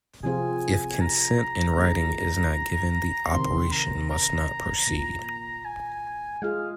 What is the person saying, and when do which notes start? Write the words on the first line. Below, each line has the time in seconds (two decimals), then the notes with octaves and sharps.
If consent in writing is not given the operation must not proceed.
0.23 C3 F3 C4 F4 G#4 G#5
1.01 A#5
1.78 D#3 A#3 F4 G#4
3.33 C3 D#3 C4 C6
3.71 A#5
4.10 A#5
4.87 A#2 A#3 F4
5.65 G#5
6.42 G#3 F4 G#4 F5